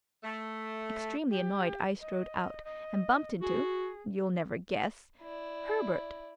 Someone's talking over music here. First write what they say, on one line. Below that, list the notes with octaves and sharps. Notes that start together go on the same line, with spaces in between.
Extremely annoyed I strode out, and bumped into--you'll never guess--Herbert!
A3
G4
D#5
D#5
F#4 G#4
E4 D5